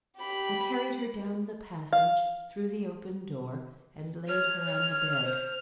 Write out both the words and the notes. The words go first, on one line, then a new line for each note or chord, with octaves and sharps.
I carried her down the passage, through the open door and laid her on the bed.
G4 B5
F5
C#5 F6
C#5
C5